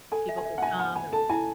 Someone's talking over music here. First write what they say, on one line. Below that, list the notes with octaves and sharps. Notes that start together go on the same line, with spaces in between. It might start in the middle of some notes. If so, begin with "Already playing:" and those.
people could come, and we could
A4 G#5
E5
G#5
E5
F#5
E5 G#5
F#5 B5
G#5 B5
A4 A5
E4 G#5